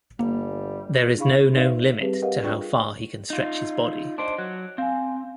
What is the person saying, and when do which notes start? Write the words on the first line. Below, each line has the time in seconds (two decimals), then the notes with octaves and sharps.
There is no known limit to how far he can stretch his body.
0.19 G1 G3 A#3
1.18 D4 E4 G#4 F5 B5 C#6
1.54 D#4 B4 C5 D5 E5 F5
2.01 G3 C4 G4 G#4 B4
2.22 G4 A#4 B4 D#5 F5 F#5
2.43 D4 F4 G#4 D5 G5 C#6
3.30 D#4 F4
4.18 D4 C5 D#5 C6 D7
4.38 F#3 F#6
4.78 C4 F5 G#5